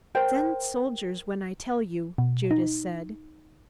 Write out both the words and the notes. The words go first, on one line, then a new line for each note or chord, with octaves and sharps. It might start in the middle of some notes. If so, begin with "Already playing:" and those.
"Send soldiers when I tell you," Judas said.
A#4 C5 G5
B2
D#4